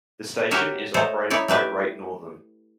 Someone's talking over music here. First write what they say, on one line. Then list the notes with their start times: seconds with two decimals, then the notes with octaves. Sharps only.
The station is operated by Great Northern.
0.51 F#4 G4 A#4 C#5 E5
0.94 A3 A4 C5 C#5 D#5
1.30 D#4 E4 C#5 D5
1.48 A3 G4 B4 E5